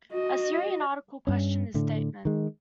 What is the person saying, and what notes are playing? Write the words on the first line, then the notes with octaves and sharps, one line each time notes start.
A Syrian article questioned his statement.
F#4 D#5
G2 C#4
A2 D3
D#3 G#3